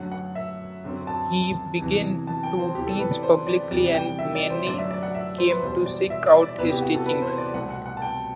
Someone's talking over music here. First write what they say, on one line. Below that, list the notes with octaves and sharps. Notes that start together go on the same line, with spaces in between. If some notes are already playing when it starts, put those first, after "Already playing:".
He began to teach publicly, and many came to seek out his teachings.
Already playing: F#2 D3 F#3 A3 F#5
F#5
E5
F#2 D3 F#3 C4
A5
E2 C3 E3
A5
G5
C5
E2 C3 E3 G4
A4
B4
D5
C5
D5
E2 C3 G3 D5
G5
E5
D5
C5
F#2 D3 F#3 A3 D5
E5
D5
F#5
E5
C5
B4
E2 B2 G3 B3 C5
D5
E5
D5
D5
E2 C3 E3 B3 B4
G4
F#4
A4
B4
C5
D5
C2 B2 A3 C4 F#5
F#5
F#5
A5
G5